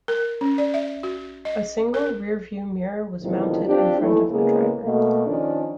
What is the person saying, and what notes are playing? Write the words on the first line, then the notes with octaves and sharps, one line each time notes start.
A single rear view mirror was mounted in front of the driver.
A#4
C#4
D5
E5
F#4
D#5
A#4
E2 A2 C3 D#3 F3
C4 D4 F4 G4
D#2 E3 A3 E4
A2 C#3 G#3 A#3 B3 G#4
B2 A3 A#3
D#3 F3 C#4 D4